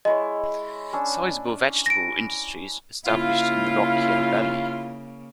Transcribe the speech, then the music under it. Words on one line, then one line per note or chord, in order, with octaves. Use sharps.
A sizable vegetable industry is established in the Lockyer Valley.
G#3 E4 C#5 D#5
C#4 D4 E6
A#6 D7
C#3 A#3 E4 F4 F5